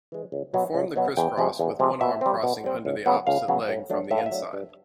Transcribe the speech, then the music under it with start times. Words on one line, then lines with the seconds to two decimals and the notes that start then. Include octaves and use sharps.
Perform the criss-cross with one arm crossing under the opposite leg from the inside.
0.12 E3 G#3
0.32 C#2
0.54 B2 F#3 B3
0.74 C#2
0.96 B2 F#3 B3
1.17 E2 G5
1.38 C3 F3 G#3
1.59 E2
1.79 C3 F3 G#3
2.01 B2 E5
2.21 G3 C4
2.43 B2
2.64 G3 C4
2.85 C#2
3.06 C#3 F#3 B3
3.27 C#2 F5
3.48 C#3 F#3 B3
3.69 A2
3.90 F#3 A3 D4
4.11 A2 E5
4.18 F5
4.26 E5
4.31 F#3 A3 D4
4.53 G2